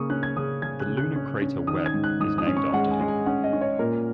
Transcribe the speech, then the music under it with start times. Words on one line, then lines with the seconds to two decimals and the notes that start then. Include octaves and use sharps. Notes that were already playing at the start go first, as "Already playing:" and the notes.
The lunar crater Webb is named after him.
Already playing: C#3 A#3 C#6 D#6
0.10 C#4 F#6
0.23 G#6
0.36 C#3 D#6
0.62 C#3 G#6
0.80 F#6
0.88 C#3
0.97 F#6
1.16 C#4
1.42 C#4
1.67 D#3 D#6
1.86 G#6
1.94 G#2
2.04 F#6
2.20 G#2 D#6
2.38 D#6
2.47 C#4
2.57 C#6
2.73 G#3 F#5
2.91 G#5
3.00 G#3
3.08 G#5
3.26 C#4 F#5
3.44 D#5
3.53 C#4
3.61 C#5
3.79 A#2 A#4